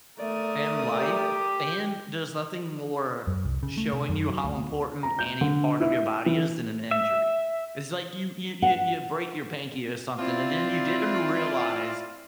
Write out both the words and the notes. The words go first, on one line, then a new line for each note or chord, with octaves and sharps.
in life, and there's nothing more showing you how important any part of your body is than an injury. It's like you you you you break your pinky or something, and then you didn't realize
A3 A#4 D5 D#6
G4
F#2
C2
C#3
A3
C3
F#2
F#3
D2
A#5
G6
D3
E4
E3
E5
F#5
C4 E4 F4 D5